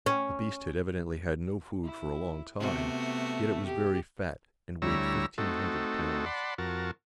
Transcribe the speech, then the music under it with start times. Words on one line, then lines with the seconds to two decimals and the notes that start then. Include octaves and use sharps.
The beast had evidently had no food for a long time, yet it was very fat, and weighed fifteen hundred pounds.
0.06 C#4
1.85 E4
2.60 C3 A3 B3 F#4
3.66 G4
4.82 D2 G3 E4 C#5 A#5 E6
5.38 A3 C4 D#4 F#4 A4
6.26 D5 F#5 A5 B5 C6
6.58 F2 F#4 A#4 A5